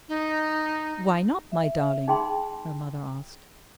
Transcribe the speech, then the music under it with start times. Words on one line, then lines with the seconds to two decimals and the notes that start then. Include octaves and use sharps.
"Why not, my darling?" her mother asked.
0.09 D#4
1.52 E5
2.08 D#4 G#4 G5 B5 C6